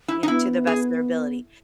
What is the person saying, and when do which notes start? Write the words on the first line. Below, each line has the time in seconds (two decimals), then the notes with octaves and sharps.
you know, to the best of their ability.
0.08 E4
0.23 D#4
0.28 B3 E4
0.67 G#4